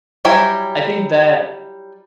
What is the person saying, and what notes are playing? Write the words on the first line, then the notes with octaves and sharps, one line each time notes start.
I think that,
F#3 G3 E4 G5 G#5